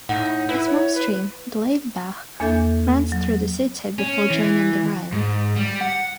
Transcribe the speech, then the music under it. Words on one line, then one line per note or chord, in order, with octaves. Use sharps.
A small stream, the Leimbach, runs through the city before joining the Rhine.
A2 D#4 F#5
E4 B4
C#5
B4
E2 A#3 D4 A4 E5 G6
F#3
C#4
E3
G#2
G3
F#5